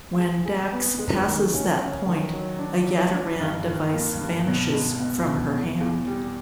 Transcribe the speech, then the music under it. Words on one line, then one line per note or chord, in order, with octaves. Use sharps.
When Dax passes that point, a Yaderan device vanishes from her hand.
G#4
G#4
B3
G#3
D#3
C#4
C#4
D#3
F#3
D4
F#3
D4
G2
D#3
A#3
G2
B2
G#3
B2
B2
E2
E2
G3